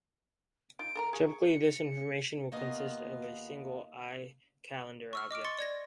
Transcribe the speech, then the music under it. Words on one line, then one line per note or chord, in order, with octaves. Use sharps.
Typically, this information will consist of a single iCalendar object.
D#4 F4 D7
A4 A#4 A#5
G#4 C#6
C#7
D#2 A#3 B3 F4 D#5 F5
C#6 E6 F6
D#5 D6 F6 D7
C6 C#6 A6 C#7
D5 G#6 A#6